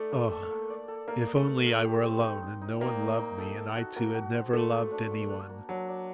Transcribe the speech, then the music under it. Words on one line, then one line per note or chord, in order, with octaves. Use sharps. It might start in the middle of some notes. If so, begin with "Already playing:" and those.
Oh, if only I were alone and no one loved me and I too had never loved anyone!
Already playing: A3 D#4 D5
A#3
A4
A#3
D5
A4
A#3 A#4
D#5
A3
A#4
A#4
G4
C4
D#4
D#4
D#4
A#3 D5
D#4
D#4
A4
A4
F#4
A#3 F#4
F#4
C5
A3 A4
A#3
D4
A#3
D4
A#3
F#3 D4
D5